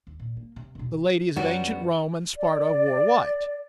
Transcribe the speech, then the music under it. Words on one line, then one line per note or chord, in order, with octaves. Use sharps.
The ladies of ancient Rome and Sparta wore white.
D#2
A#2
A#3
C3
E1 B2
F#2 G3 B3 F#4
D5